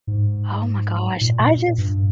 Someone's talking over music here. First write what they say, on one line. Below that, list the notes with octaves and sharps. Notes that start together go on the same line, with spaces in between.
Oh my gosh, I just
G#2
A#2
A#2
G2